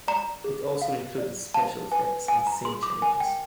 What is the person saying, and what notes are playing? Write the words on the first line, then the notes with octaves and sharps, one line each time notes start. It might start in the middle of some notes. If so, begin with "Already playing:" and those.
It also included special effects and scene changes.
D5 A#5
G#4
F5
D5
F5 A5
B4 G#5
F5 G#5
A#5
G#4 C6
D6
A#4 G#5
G5